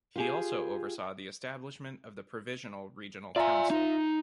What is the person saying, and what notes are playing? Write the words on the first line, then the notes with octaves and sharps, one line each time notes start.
He also oversaw the establishment of the Provisional Regional Council.
F4 G4 G#4
F4 D5 E5 G#5 A#5
D#4